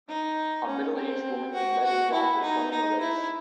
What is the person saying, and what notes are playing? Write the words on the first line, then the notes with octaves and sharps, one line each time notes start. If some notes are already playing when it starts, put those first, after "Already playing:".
A middleaged woman in red and black is running in a race.
D#4
C#4
C4
F#4
F#4
E4
D#4
D#4
E4